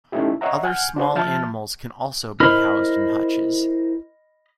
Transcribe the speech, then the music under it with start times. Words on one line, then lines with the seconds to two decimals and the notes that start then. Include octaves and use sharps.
Other small animals can also be housed in hutches.
0.12 A3 C#4 D#4 E4 G4
0.41 C#5 D#5 E5 F#5 A#5
0.64 F#5 G#5 F6 G6
0.96 D4 F#4 C5
1.15 F3 E5 A5 F6 G6 A6
2.40 E4 A#4 C5 D#5 B5 F6